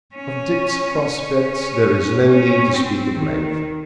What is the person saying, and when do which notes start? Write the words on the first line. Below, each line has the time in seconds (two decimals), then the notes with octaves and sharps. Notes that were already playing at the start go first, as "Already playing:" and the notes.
Of Dick's prospects there is no need to speak at length.
0.16 C#4
1.01 C#4
2.31 C#4
2.74 C4
3.16 D#3